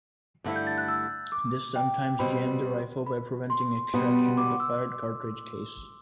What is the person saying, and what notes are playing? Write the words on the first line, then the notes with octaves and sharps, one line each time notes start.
This sometimes jammed the rifle by preventing extraction of the fired cartridge case.
G2 D3 A3 E4
G6
A6
F#6
E6
D6
G5
B2 G3 C4 B5
B5
C6
B2 G3 B3
D6
E6